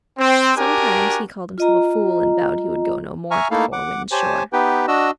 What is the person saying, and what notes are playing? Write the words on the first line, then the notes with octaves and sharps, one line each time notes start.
Sometimes he called himself a fool and vowed he would go no more to the Four Winds shore.
C4
D4 F#4 G4 A#4 G#5
F4 D#5 A#5
E5 G#5 A#5 C#6 F6
A3 A#3 D#4 E4 A4 F5
F#5 D6
G4 C5 C#5 G#5 A5
B3 D#4 G4 B4 G5
D4 F#4 D#5 E6